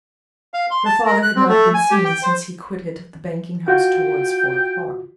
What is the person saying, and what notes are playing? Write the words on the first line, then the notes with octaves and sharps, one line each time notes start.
Her father had not been seen, since he quitted the banking-house towards four o'clock.
F5
C6
A5
A#4
F#6
C4
A3
G#5
G4
G5
C5
F4 F#4 G5